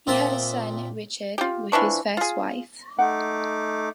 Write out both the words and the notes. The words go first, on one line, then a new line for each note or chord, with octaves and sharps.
He had a son, Richard, with his first wife.
A#2 C4 D4 E5 A5 D#6
F4 G4
E3 F3 D4 C#6
F4 G#4
A3 D#4 F#5 D6